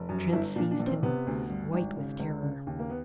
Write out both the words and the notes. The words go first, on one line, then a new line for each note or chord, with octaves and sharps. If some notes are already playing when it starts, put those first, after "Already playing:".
Trent seized him, white with terror.
Already playing: F1
F#2
G1 E4
A#2 D4
D4
A#1
C4
C3 B3
D2
G2
G#1
C#3
C#2
C#3
D#2
A#3
B3